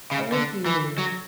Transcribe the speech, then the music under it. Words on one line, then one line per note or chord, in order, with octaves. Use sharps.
Thank you.
C#3
D3
E3
F#3